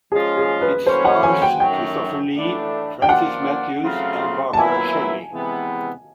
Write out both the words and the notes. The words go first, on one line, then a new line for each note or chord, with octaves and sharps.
It stars Christopher Lee, Francis Matthews, and Barbara Shelley.
F3 G#3 C#4 F4 G#4
G#4
B4
A2 F#3 A#3 C#4 C5
F#5
G#5
G5
F#2 D#3 F#3 A3 G5
A2 E3 A3 D4
G5
F3 A#3 D4 F4 F#5
C#3 F#3 A3 C4 F4
A5
A#2 F#3 B3 E4 G#5
C3 E3 G#3 B3